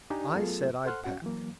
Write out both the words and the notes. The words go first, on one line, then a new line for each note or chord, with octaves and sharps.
I said I'd pack.
D4 D#4 G4 D5 G#5 A#5
F#3 A3 B3 F4 G#4 A4
A4 C5 F#5 C6 F6 F#6
C#4 F#4 F#5
E3 F#3 A#3